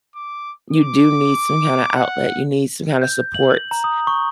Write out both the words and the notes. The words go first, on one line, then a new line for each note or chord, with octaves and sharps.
you do need some kinda outlet, you need some kinda supports,
D6
D6
F#5
G6
F#7
A#5
D#6
C#6